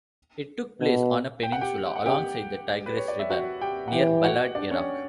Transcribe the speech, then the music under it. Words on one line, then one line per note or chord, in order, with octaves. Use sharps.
It took place on a peninsula alongside the Tigris River near Balad, Iraq.
B2
G5
F#5
G4 G5
F#5
C#3 G4 G5
B4
C#5
D5
E5
F#4 F#5
G4 G5
F#5
E3 G4 G5
F#4 F#5
D4 D5
C#4 C#5